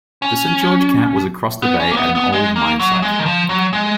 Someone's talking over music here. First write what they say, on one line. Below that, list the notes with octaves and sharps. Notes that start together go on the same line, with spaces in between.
The Saint George camp was across the bay at an old mine site..
C#4
B3
C#4
A#3
B3
B3
G#3
A#3
F#3
G#3
D#3
F3
F#3
G#3